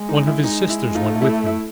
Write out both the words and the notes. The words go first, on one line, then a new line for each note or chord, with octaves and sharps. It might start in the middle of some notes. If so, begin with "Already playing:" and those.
One of his sisters went with him.
Already playing: G#3
D#4
E4
G#3 D#4
E4
A3 D#4 F4
E4
E4